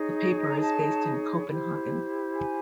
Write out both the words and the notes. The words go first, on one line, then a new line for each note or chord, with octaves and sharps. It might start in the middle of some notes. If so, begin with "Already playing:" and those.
The paper is based in Copenhagen.
Already playing: D#4 G#4 C#5
A#5
A5
E4 G4 C5
G#5